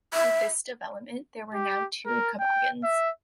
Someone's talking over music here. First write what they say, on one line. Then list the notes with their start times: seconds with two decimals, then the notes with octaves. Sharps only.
With this development, there were now two Cabagans.
0.14 E5
1.54 G4
2.06 A#4
2.40 G5
2.84 E5